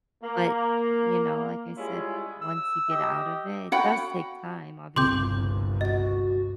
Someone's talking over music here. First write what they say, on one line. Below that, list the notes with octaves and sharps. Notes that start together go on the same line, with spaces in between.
But, n y you know, like I said, once you get out of it, it does take time, obviously, it took me, like,
A#3
G3 G#3 C#4 E4 F4 G#4
E6
G4 D#5
F#4 F#5 G5 B5
G1 C2 A#2 C#3 C4 C6 D6 G6
F#4 D#5 A6